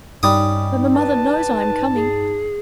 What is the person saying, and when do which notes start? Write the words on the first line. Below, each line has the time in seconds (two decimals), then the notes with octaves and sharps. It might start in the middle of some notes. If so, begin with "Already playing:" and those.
But my mother knows I am coming?'
0.23 G2 G3 C#4 D#4 D#6
0.96 B4 A5
1.94 G#4